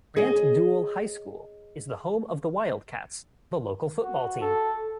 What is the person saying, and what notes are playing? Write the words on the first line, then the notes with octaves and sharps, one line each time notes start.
Grant-Deuel High School is the home of the Wildcats, the local football team.
G#4 C#5 D#5
F#4
A4